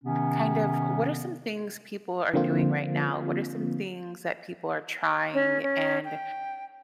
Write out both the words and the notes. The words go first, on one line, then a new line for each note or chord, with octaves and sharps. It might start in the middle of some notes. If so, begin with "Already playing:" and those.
kind of what are some things people are doing right now, what are some things that people are trying, and,
C3 D#3 B3 C#4
D3 F3 A#3 C4 F4
C#4
C#4
G5